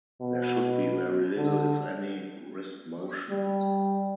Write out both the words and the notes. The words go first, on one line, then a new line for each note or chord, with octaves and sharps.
There should be very little, if any, wrist motion.
B2
D3
G3